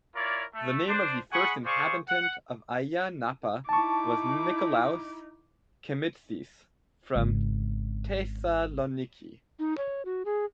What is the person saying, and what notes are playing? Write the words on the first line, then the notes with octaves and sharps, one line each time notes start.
The name of the first inhabitant of Ayia Napa was Nikolaos Kemitzis from Thesaloniki.
E4 F4 A#4 C#5 D5
A3
D4 C5
G#3 G#4 F#5 G#5 B5 C#6
G#4 C5 D5 F5 C#6
F#5
D#4 E4 A5 C#6 D6
G#1 C#3
D#4
C#5
F#4
G#4